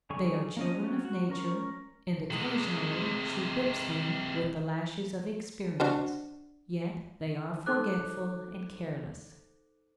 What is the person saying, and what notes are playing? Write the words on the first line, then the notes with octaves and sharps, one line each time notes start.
They are children of Nature, and occasionally she whips them with the lashes of experience, yet they are forgetful and careless.
D3 G3 G#4 C#5 C#6
A#3 C#4 D#5
F#3 C#4
F#4
C#4 A#4 C#6
C3 G#3
D4 F#4 C5
D#4 A4 C5 D6 F#6